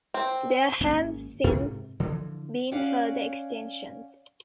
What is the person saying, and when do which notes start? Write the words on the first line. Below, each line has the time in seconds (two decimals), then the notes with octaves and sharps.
There have since been further extensions.
0.14 C4
0.81 G#1 G#2 A#3 C#4
1.44 G#2 C3
2.00 D3 E3 F3
2.71 C#4 C#5 D5 F5 F#5